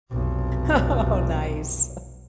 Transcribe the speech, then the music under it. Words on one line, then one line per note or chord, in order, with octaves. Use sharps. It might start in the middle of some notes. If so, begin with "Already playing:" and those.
Oh, nice,
F1 B1